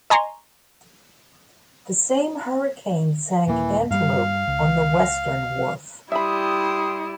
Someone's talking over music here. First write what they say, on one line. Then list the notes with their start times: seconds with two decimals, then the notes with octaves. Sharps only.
The same hurricane sank "Antelope" on the western wharf.
0.10 D#5 G#5 A#5 C6 C#6
3.48 D#1 E3 A#3
3.91 G2 G3 F5
4.48 C#2
6.12 G3 E4 E5 G5 B5 C6 D#6